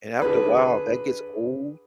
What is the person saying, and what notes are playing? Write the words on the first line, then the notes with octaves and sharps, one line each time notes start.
And after a while, that gets old,
D3 G#4 B4